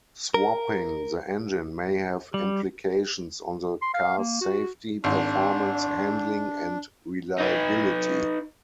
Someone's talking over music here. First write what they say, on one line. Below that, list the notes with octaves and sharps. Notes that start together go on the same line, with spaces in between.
Swapping the engine may have implications on the cars safety, performance, handling and reliability.
A#4
G3
C6
F5
A#3
F#4
G#1 D4
D#4 B4